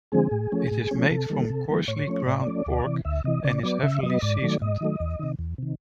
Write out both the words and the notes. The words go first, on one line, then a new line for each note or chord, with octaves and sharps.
It is made from coarsely ground pork and is heavily seasoned.
D3 F3 G#3 C4 G#4
A2
F3 A3 C#4
A2
F3 A3 C#4
C3 A4
D#3 G3 A#3
C3
D#3 G3 A#3
A2 C#5
F3 A3 C#4
A2 D5
F3 A3 C#4
D2
C3 E3
D2 E5
C3 E3 D#5
C#3 D5
F#3 B3 D5
C#3 E5
F#3 B3 D#5
G#2 D5
D#3 F#3 A3
G#2 D#5
D#3 F#3 A3
E2
C3 D#3
E2
C3 D#3